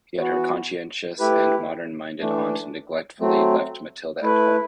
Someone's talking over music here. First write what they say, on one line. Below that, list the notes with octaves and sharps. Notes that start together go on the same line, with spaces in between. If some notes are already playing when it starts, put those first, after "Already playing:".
Yet her conscientious and modern-minded aunt neglectfully left Matilda at home.
E3 B3 F#4
A3 E4 G4 B4
E3 A3 D4
F#3 A3 C4
A3 E4 B4